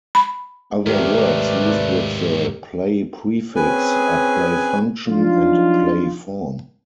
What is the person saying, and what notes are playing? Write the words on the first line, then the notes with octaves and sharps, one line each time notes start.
Other words used with the "play-" prefix are play-function and play-form.
B5
D#2 G#2 A3 C4 G4 A#4 B4 D5
C4 C#4 G#4 B4 G#5
F3 F#3 D4 D#4 F4